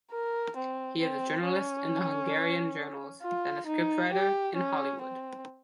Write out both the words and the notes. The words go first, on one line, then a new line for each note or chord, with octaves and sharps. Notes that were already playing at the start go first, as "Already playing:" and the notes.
He is a journalist in the Hungarian journals, then a scriptwriter in Hollywood.
A#4
C4
C4
C#4
F4
D#4
G4
C#4
C4